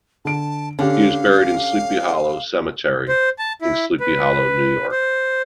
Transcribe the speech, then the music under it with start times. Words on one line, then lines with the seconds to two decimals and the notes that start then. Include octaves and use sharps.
He is buried in Sleepy Hollow Cemetery in Sleepy Hollow, New York.
0.25 D3 A5 D7
0.79 D3 C#4 G4 F5
3.08 C5
3.39 A5
3.62 E4
4.00 B4
4.91 C5